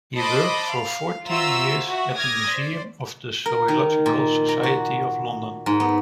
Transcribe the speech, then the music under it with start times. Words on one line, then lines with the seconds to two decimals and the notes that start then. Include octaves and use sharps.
He worked for fourteen years at the museum of the Zoological Society of London.
0.17 C5 D#5 A5 B5 C6 D6
0.70 F5
1.29 F4 F#4 C5 E5 A#5 E6
1.88 F#4 E5
2.17 D6 D#6 F6 G#6 A#6
2.49 C5 D5
3.46 A#4
3.68 D#3
4.06 A#2
4.49 A#5
4.63 F#4
5.66 G#2
5.80 B3